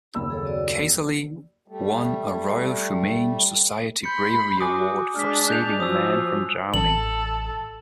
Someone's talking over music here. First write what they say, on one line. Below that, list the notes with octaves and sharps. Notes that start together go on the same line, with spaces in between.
Casserly won a Royal Humane Society bravery award for saving a man from drowning.
F#1 D#2 B5 E6
G#4 A4 C#5
B3 F#4 D5
G3 A3
B5 C6 G6 C#7
F#4 G#5 D6 D#6
G#3 D4 F6 B6
F#6 G6 F7
F3 F#3 D#6 E6
A1 A4 F#7